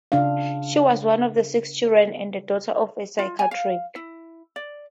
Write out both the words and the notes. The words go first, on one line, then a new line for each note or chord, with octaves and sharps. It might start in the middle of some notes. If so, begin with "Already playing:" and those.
She was one of six children and the daughter of a psychiatrist.
C#3 D4 F5
F4
G#5
F5
E4
D5